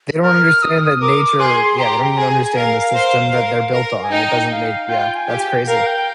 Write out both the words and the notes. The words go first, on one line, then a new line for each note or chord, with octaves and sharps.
They don't understand that nature yeah, they don't even understand the system that they're built on, it doesn't make yeah, that's crazy.
A#4 F6
D#6
A#4 D6
G#4 C6
G4 A#5
G#4 G#5
A#4 F5
C5
A#4
A#4
G#5
D#4 G5
F5
F4 G5
G#5
G4
G5
A#4 F5
G5